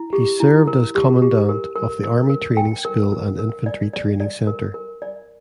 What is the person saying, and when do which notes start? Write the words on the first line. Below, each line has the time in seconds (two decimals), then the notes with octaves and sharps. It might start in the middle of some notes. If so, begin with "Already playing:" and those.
He served as Commandant of the Army Training School and the Infantry Training Centre.
Already playing: E4
0.13 G4
0.40 E4
0.68 A#4
0.95 G4
1.22 G4
1.49 A#4
1.76 A#4
2.04 A#4
2.30 A#4
2.57 G5
2.85 A#4
3.12 A#4
3.39 A#4
3.66 D5
3.93 D5
4.20 D5
4.47 A#4
4.74 A#4
5.02 D5